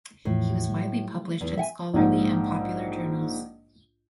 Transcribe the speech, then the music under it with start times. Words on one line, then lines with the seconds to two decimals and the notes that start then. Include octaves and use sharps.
He was widely published in scholarly and popular journals.
0.25 E2 A2 E3 F3
0.69 F#3 G3 A3
1.41 E2 E3
1.57 E5 F#5 G#5
1.94 A#1 G#2